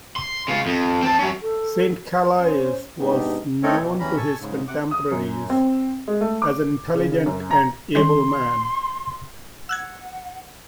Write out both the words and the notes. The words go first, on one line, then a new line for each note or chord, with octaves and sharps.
St-Calais was known to his contemporaries as an intelligent and able man.
C6
C#3 F4
F2
C4 A5
F#3 C#4
A4
C#4 C5
G#2 C3 B3 D4 D#4 G4
A3 C4 D#4 A4 A#4 C#5
B2 E3 G3
E2 E3 G3 C#4 A#5 B5
G#5 A5 C#6 E6
G#2 C#3
C3 F#5 D6
D#6
F#2
C4
G#3
A3
D6
C#3
C#3
F#2
A#5
D#3 G3 C#4 C6
F#5 E6 F#6 G#6